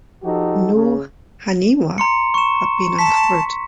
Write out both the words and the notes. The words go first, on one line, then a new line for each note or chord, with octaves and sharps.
No "haniwa" have been uncovered.
F3 D#4 F#4 G4 A4
C#3
A#5 C6 C#7
C#6 E7
A5 B6